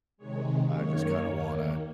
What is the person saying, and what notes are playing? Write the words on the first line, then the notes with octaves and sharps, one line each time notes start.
I just kinda want a
C3 D#3 G#3 C#5
F#2 D#3 A#3 C#5
D#2 D#3 A#3